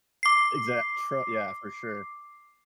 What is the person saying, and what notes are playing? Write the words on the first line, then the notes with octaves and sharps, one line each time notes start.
exact, tra yeah, for sure.
D6 C7